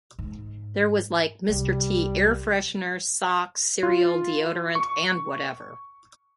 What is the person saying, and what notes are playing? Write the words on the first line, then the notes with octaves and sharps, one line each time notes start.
There was like Mr. T air fresheners, socks, cereal, deodorant, and whatever.
G#2
C2 G3
F4
C#6